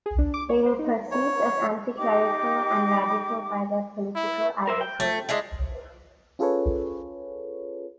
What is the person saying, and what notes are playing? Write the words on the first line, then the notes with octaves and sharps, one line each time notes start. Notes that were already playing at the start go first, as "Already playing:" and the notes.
They were perceived as anti-clerical and radical by their political adversaries.
G#4
D4
D6
C#5
C5
D#4
C#5
D#4 G4 G5 D6
E4
A#4 C5 E5
G5
A3
G#3 D4 E4
C#4 F4 G#4 A4 B4 C#5